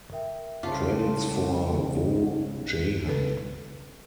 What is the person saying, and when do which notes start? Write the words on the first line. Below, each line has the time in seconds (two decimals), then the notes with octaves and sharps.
Credits for "Woh Jahan".
0.12 A#4 E5 G5
0.63 C2 C#3 F4 C5 A5 D6
3.07 A4 B4